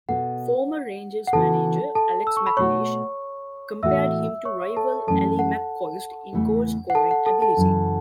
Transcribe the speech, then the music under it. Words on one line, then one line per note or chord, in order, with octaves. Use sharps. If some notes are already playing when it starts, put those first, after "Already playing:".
Former Rangers manager Alex McLeish compared him to rival Ally McCoist in goalscoring ability.
B2 B3 A4 F#5
F#5
C#3 E3 B3 F#4 A4 A5
A4 A5
E6
C#6
B5
B2 A3 F#4 A4 C#5 C#6
A2 E3 B3 F#4 A4 E5 E6
C#5 C#6
A4 A5
F#2 E3 A3 C#4 A4 A5
F#5
E2 C#3 E3 A3
F#5
A4 A5
F#5
A4 A5
A4 A5
F#2 C#3 E3